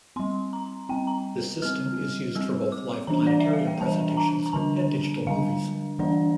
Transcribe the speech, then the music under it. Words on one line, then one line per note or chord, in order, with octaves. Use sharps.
This system is used for both live planetarium presentations and digital movies.
G3 C4 C6
A#5
G3 C4 G5
A#5
G3 C4 F6
G3 C4 E6
D6
E3 G3 D4 A#5
D5
E5
F5
G5
E3 G3 D4 A5
A#5
A#5
D3 G3 D4 A5
D3 G3 D4 F5
E3 G3 A#3 D4 D5